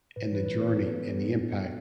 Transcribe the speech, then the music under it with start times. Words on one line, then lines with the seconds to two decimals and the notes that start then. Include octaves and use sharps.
in the journey and the impact
0.16 A2 B4
0.25 C#5
0.32 E3 B4
0.46 A2 B4
0.59 B3
0.74 B3 A4
0.89 B3
1.03 B3
1.17 B3
1.31 D4
1.45 B3
1.59 B3